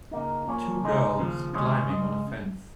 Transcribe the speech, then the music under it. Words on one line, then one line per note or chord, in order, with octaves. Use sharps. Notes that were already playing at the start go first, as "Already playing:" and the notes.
Two girls climbing on a fence.
C#3 A#3 D#4
A#2 F3 A#3 C#4
C#2 C#3 G#3 D#4
D#2 C#3 F3
D#2 C#3 G#3 C#4
C#3 G#3